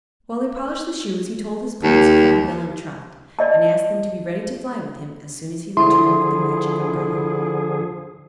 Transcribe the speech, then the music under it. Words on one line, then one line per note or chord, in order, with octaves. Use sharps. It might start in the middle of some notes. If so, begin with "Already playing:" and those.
While he polished the shoes he told his plans to Cap'n Bill and Trot, and asked them to be ready to fly with him as soon as he returned with the Magic Umbrella.
D#2
D5 D#5 A5
D3 F3 E4 G#4 C6